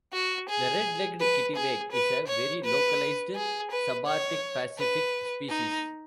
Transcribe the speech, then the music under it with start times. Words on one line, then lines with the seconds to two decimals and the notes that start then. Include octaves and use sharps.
The red-legged kittiwake is a very localised subarctic Pacific species.
0.13 F#4
0.49 G#4
1.20 B4
1.56 G#4
1.92 B4
2.28 C#5
2.64 B4
3.35 G#4
3.71 B4
4.07 C#5
4.78 B4
5.50 D#4